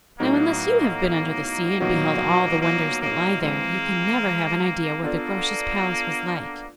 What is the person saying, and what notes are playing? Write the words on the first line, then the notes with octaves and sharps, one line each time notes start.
Now, unless you have been under the sea and beheld all the wonders that lie there, you can never have an idea what the Groac'h's palace was like.
A2 F#3 A#3 B3 D#4
A#2 F#3 A#3 B3 D#4 F#4
A#3
A#3
E3 G#3 A#3 C4
A#3 B3 D4 F4 A4 D5